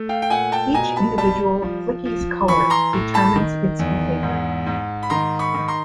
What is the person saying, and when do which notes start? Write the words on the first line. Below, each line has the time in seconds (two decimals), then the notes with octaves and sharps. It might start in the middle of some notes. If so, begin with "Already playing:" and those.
Each individual flicky's colour determines its behaviour.
Already playing: A3
0.09 F5 G5
0.22 G5
0.30 A#2 F#5 G#5
0.52 G5 A5
0.74 B2 G#5 A#5
0.96 A5 B5
1.18 G3 A5 B5
1.62 F3
2.05 F3
2.48 E3 B5 C#6
2.70 A#5 C6
2.93 A2
3.14 A5 B5
3.36 D#3
3.79 E2
4.23 G#2
4.66 G#2
5.03 B5
5.10 D#3 A#5 C6
5.39 B5 C#6
5.54 D#3
5.68 A#5 C6